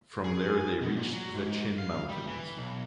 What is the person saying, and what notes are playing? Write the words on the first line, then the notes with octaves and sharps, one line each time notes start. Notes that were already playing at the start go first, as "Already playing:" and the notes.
From there they reached the Chin Mountains.
G#4
G#5
B2
A#2
F#3
G#2
F5
G3
E3
B1